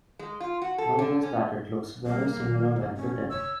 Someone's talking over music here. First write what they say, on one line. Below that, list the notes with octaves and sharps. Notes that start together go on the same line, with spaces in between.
Notice that it looks very similar when written.
G#3
F4
F#4
A4
D3
C#4
G3 A#3
D#3 F#3
F1 D3
C#4
C#5 E6